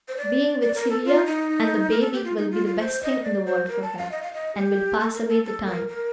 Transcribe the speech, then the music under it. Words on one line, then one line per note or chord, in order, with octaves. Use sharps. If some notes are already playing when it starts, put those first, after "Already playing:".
Being with Celia and the baby will be the best thing in the world for her, and will pass away the time.
C5
D5
D5
A#4
A4
F4
D#4
A#4
A4
G4
F4
D#4
F4
F4
C5
D#5
D5
C5
A#4
A5
F5
D#5
F5
D#5
G4
A4
A#4
A4
A4
A#4
A#4